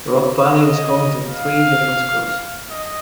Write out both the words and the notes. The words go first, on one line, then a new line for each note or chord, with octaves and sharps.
Rock Valley is home to three different schools.
D#5
F5
D#5